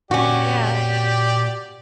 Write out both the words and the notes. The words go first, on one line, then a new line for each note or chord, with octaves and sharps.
Yeah, eh
A#2 C#4 F#4 G4 B4 D5